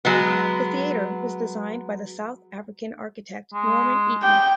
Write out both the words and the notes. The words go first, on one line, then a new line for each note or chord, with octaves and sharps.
The theatre was designed by the South African architect Norman Eaton.
F#3 G#3 B3
G#3
G4 G5